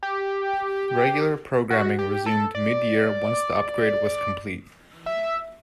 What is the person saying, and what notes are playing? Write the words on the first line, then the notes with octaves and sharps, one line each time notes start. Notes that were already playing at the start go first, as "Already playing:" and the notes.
Regular programming resumed mid-year once the upgrade was complete.
G4
F#4
G4
A4
D5
E5